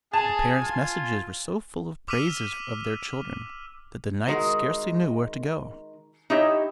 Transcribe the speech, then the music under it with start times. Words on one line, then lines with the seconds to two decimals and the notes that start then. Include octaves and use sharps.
The parents' messages were so full of praises of their children that the knights scarcely knew where to go.
0.13 G#4 G#5 A5
0.62 F4
2.08 D6 E6 F6 B6 D#7 F7
4.27 D#3 G#3 F#4 A#4
6.30 D#4 E4 G4 C#5 D#5 E5